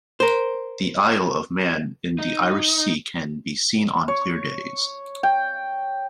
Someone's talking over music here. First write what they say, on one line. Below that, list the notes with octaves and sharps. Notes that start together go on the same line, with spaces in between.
The Isle of Man in the Irish Sea can be seen on clear days.
A#4 C5
D#4
C#5
G5